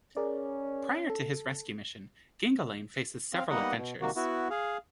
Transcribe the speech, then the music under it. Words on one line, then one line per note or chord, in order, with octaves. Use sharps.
Prior to his rescue mission, Gingalain faces several adventures.
C#4 G#4 A#4 D5
A4
C4 F5
G3 A#3 B3 D#4 D#5 F#5
B2
C3 D#3 A#3 F#4
B3 E4 F#4
G#4 F5